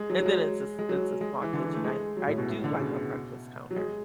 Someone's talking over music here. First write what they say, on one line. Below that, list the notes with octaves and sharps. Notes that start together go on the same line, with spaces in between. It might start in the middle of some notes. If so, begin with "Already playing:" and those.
and then it's a s it's a small kitchen. I li I do like a breakfast counter.
Already playing: G#3
F#3
F#3
G#3
G#3
F#3
G#3
E3
D3
E3
A3
G#3
F#3
A2
B2
A2
D3
C#3
B2
F#3
G#3